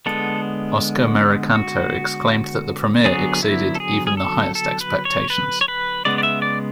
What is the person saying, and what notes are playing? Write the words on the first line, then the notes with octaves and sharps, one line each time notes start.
Oskar Merikanto exclaimed that the premiere exceeded even the highest expectations.
D3 G#3 B3 A4
F#4
D3 F#3 B3 G#4
E4
A4
G#4
G#4
A4
A4
B4
C#5
B4
C#5
B4
C#3 G#3 B3 D5
D5
E5
D5